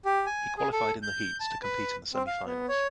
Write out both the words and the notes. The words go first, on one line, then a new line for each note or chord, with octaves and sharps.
He qualified in the heats to compete in the semifinals.
G4
G#5
G#4
A4
G6
A5
B4
C4
F5
B3
C#5